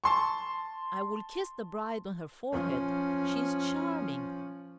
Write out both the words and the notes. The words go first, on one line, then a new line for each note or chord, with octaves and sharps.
I will kiss the bride on her forehead; she is charming.
A5 C6 C#6
F3 C#4